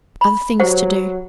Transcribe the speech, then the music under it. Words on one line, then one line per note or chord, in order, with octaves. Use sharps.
'Other things to do.'
B5
F#3 G4 C5 F#5